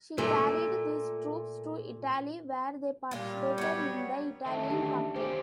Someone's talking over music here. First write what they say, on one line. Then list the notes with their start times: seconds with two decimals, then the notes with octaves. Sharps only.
She carried these troops to Italy, where they participated in the Italian campaign.
0.18 A#2 A3
3.11 A#2 G3 F4
3.58 F#3 B3 C#5
4.46 D#3 E3 A3 E5 A5
4.69 C#4 D4 G4
5.16 D#3 C#4 G4 C5